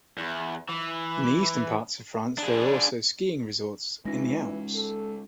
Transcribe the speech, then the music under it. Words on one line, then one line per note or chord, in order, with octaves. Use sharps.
In the eastern parts of France there are skiing resorts in the Alps.
E2
E3
D4 G#4
E3 G#3 C#4 D#4 F4 A#6
A4